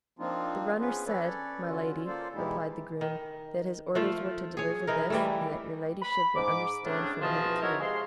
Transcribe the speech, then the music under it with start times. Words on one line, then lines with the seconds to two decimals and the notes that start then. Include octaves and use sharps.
"The runner said, my lady," replied the groom, "that his orders were to deliver this, and that your ladyship would understand from whom it came."
0.19 F3 A#3 C4 D4 D#4 F4
0.79 F3 B3 C#4 F4 G#4 B4
1.06 C#4 A4 B4 C#5 D5
1.67 D3 C#4 F4 F#4
2.06 A#3 F4 A4 C5 D5 F5
2.34 B2 E3 G#3 D#4 E4 G4
3.01 D#3
3.95 F3 A3 F4
4.57 G#4 C#5
4.87 E3 D#4 A#4
5.10 E3 G3 A3
6.02 B5
6.36 G#2 D6
6.84 A2 C#3 D4
7.21 C#2 B2 E3 F3 D#5 A5
7.61 D#4 E4 F#4 A#4 C#5 E5
7.81 C3 G#3 F5 C6